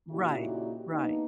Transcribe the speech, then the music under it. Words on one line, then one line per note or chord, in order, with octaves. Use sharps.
Right. Right.
A#2 C#3 D#4 E4 F#4 G4
A#3 B3 D4 D#4